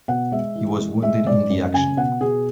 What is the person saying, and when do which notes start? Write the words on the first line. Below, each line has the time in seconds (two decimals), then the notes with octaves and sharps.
He was wounded in the action.
0.08 B2 F#5
0.32 G#3 E5
0.55 E3
0.80 G#3
1.03 G#3 E5
1.26 G#2 D5
1.50 F#2
1.74 C#3 G#5
1.97 B2 F#5
2.21 B2 G#4